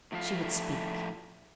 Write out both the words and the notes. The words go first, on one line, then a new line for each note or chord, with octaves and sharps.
She would speak.
A2 F3 A3 D5 F5